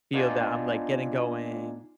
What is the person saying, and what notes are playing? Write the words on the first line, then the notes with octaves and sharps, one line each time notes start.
feel that I'm, like, getting going,
B3 D4 D#4 F4 D5 G#5